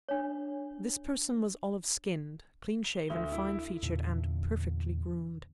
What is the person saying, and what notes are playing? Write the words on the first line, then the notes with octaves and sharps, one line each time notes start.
This person was olive-skinned, clean-shaven, fine featured, and perfectly groomed.
D4 C#5
G7
D2
E4
E2 A#2 D3